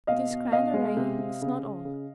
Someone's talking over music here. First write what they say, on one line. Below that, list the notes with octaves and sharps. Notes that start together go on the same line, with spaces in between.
But this grand array is not all.
B2 D#5 F5
B2
B2 D#5 F5
G#3
C3
C3
C#3
C#3
C#3